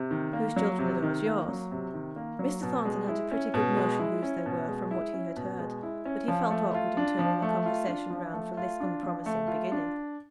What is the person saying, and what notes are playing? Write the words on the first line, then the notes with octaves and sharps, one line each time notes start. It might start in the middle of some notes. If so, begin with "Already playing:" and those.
'Whose children are those--yours?' Mr. Thornton had a pretty good notion whose they were, from what he had heard; but he felt awkward in turning the conversation round from this unpromising beginning.
Already playing: C3
D#3
A#3
F#3
C3
D#3
A#3
F#3
C3
D#3
A#3
F#3
B2
G#3
E4
C#4
B2
G#3
E4
C#4
B2
G#3
E4
C#4
B2
G#3
E4
C#4
F3
A3
F4
D4
F3
A3
F4
D4
F3
A3
F4
D4
F3
A3
F4
D4